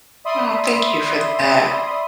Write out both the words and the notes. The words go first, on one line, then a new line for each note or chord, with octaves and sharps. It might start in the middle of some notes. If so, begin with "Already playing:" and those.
Oh, thank you for that,
D5 E5 B5 C6 D#6